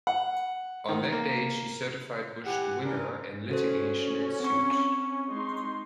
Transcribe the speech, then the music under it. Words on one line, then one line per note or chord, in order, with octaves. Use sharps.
On that date, she certified Bush the winner and litigation ensued.
F#5
D#3
A#3
E3 G4 F#5
E3 D4 A#4
C#4 F#4 A4 C5
C4 C#6
G#3 D#4 C6